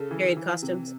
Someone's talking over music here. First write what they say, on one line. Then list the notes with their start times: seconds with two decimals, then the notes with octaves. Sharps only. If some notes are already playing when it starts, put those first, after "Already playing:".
period costumes?
Already playing: C#3 A4
0.11 E3
0.37 E3
0.62 C3